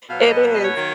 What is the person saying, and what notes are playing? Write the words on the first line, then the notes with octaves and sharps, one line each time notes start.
it is.
B2 F#3 B3 F5
D#5
D#5
C#5
D#3 F#3 A#3